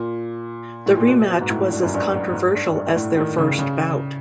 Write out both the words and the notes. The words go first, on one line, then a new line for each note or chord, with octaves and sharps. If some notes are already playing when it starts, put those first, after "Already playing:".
The rematch was as controversial as their first bout.
Already playing: A#2
A2
A#2
B2
B2
G#2
A2
G2
F#2
G2
G#2
G2
G2
A2
D#3
C#3
C#3